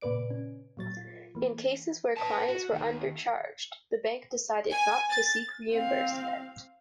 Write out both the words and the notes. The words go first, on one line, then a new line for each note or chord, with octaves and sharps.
In cases where clients were undercharged, the bank decided not to seek reimbursement.
A#2 C#3 B4 D5 D7
C#4
A#2 F#3 A6
F4
E3 A#3
B4 A5
F#4
D#2 D#3
G#5
A6
C4 F5